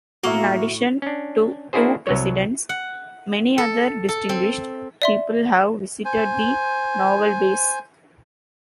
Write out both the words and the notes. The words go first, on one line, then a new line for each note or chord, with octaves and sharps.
In addition to two presidents, many other distinguished people have visited the Naval Base.
A2 A#3 F#4 E5 C#6 D#6
C#4 D4
A#3 D4 E4 F#4 G#4 C5
C2 F#3 C#5
F#5
A4
A4
C4
D5 E5 C6
C5 G#5